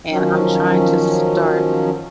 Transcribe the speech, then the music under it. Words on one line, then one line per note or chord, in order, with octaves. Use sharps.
and I'm trying to start
D#3 F3 F#3 C#4